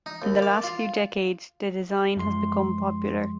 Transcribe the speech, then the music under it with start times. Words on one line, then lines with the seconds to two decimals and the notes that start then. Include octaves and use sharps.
In the last few decades, the design has become popular.
0.06 D#4
0.22 D#2
0.42 D5
0.63 F4
2.17 F#2 F3 G#3 C6